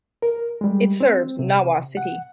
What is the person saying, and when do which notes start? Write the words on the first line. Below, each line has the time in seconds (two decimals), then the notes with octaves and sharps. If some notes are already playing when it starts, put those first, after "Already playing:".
It serves Nawa City.
0.22 A#4
0.61 G3 G#3
1.00 C4
1.39 C3
1.97 F#5